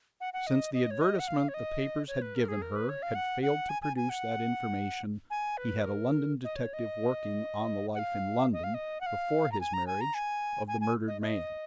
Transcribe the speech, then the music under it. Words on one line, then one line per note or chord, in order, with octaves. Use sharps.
Since the advertisement the papers had given her had failed to produce that information he had a London detective working on the life in London, before his marriage, of the murdered man.
F#5
F#5
D#5
D#5
C#5
D#5
F#5
F5
C#5
D#5
C#5
B4
A#4
G#4
A#4
B4
C#5
F5
F#5
F#5
G#5
G#5
G#5
F#5
G#5
B4
A#4
D#5
C#5
D#5
F#5
F5
D#5
F5
D#5
F#5
F5
A#5
G#5
A#5
G#5
A#5
G#5
G#5
G#5
D#5
D#5